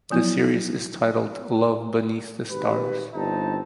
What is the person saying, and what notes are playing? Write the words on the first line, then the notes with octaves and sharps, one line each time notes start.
The series is titled "Love Beneath The Stars".
F3 F#3 B3 E4
G#1 G4 B4
G1 G2 C4 D#4 A5